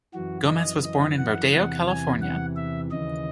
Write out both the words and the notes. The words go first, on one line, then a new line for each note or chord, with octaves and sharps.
Gomez was born in Rodeo, California.
F#2 E3 F#4
D#5
D#5
F#5
E2 C3 E3 F#5
G#5
F#5
E5
D#2 C#3 E3 D#5